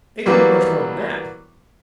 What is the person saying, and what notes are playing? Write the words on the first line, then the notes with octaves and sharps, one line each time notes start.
It can do much more than that.
E3 F#3 G3 A#3 B3